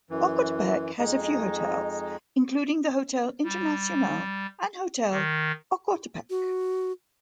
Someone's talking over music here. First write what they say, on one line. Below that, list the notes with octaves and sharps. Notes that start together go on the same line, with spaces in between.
Ocotepeque has a few hotels, including the Hotel Internacional and Hotel Ocotepeque.
F#2 E3
F2 G#3 D#4
G3
D#3
F#4